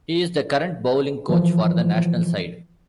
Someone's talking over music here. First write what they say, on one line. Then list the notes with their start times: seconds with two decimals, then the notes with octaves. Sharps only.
He is the current bowling coach for the national side.
1.29 E3 F3